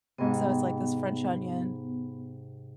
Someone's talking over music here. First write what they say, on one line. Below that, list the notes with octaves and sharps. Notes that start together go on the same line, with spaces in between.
So it's like this French onion
G#2 C3 B3